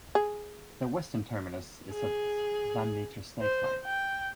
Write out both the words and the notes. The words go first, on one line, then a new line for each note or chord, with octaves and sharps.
The western terminus is at Van Meter State Park.
G#4
G#4
C5
G5